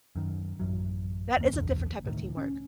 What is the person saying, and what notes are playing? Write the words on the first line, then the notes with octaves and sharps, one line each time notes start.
That is a different type of teamwork.
F#2 D#3
A1 F#2 F#3
F#1 D#2 A#3
F#1 B1 E2 D3
C#2 A2 D#3
C#4